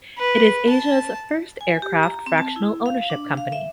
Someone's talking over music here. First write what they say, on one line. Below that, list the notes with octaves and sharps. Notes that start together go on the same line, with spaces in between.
It is Asia's first aircraft fractional ownership company.
B4
A5
G#5
G4
A#5
C4
A5
E4
F5
D4
F5
E5